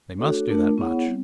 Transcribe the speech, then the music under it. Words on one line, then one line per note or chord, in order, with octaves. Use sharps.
They must do that much.
A3 D4 F#4 A4 C#5
A3 D4 F4 A#4
B3 E4 G#4 C#5 F#5
G3 C4